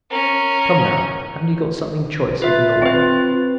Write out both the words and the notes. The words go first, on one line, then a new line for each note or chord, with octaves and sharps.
Come, now, haven't you got something choice hidden away?'
C#4 A#4
F4 B4 E5
C4 B4